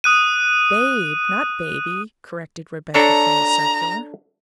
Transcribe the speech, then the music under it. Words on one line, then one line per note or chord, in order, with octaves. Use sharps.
"BABE, not baby," corrected Rebecca from the circular.
D#6 F#6 D#7
D4 A4 C#5 A#5